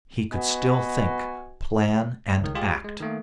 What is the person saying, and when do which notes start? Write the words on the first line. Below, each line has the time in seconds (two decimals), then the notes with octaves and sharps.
He could still think, plan, and act.
0.32 B3 F#4 B4 D#5 G#5
2.41 C#2 D#3
2.55 G#3 F4 G4 G#4
2.84 G#3
3.00 D#3 A3 A#3